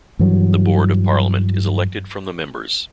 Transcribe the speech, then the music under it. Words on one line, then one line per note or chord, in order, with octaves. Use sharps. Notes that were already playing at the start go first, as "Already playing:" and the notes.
The board of parliament is elected from the members.
G2 E3 F#3